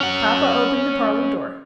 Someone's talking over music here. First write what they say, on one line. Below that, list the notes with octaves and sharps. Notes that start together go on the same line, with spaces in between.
Papa opened the parlor door.
C#4 F#5